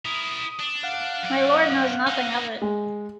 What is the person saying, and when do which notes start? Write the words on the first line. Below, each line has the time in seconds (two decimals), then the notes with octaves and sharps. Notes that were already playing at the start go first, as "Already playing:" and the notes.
My Lord knows nothing of it.
0.05 E4 A#4 D#6
0.59 D4
0.83 F5 F#5
1.23 F#2 D5
2.07 D#4 E4
2.62 G#3